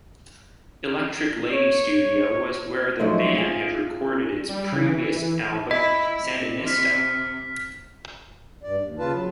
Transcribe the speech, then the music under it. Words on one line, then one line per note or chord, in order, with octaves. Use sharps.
Electric Lady Studio was where the band had recorded its previous album Sandinista!
C#5
F3 F#3 G#3 A3 D#4
F4 G#4
G3
C#3
E3
E4 D#5 B5
C3
F6 B6
G2 D5
D#2
C#3 F4 B4 A5
F#3